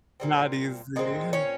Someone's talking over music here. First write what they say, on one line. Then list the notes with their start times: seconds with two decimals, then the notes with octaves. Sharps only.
not easy.
0.20 A#2 G3 C4
0.96 A#2 G#3 C4
1.33 C#4 C#5